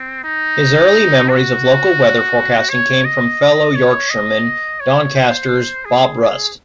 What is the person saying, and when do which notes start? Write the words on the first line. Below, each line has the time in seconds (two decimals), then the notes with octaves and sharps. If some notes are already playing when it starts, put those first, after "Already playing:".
His early memories of local weather forecasting came from fellow Yorkshireman, Doncaster's Bob Rust.
Already playing: C4
0.24 D#4
1.29 F#4
2.70 C#5
3.05 D#5
3.75 C#5
4.10 D#5
4.80 C#5
5.15 C5
5.85 G#4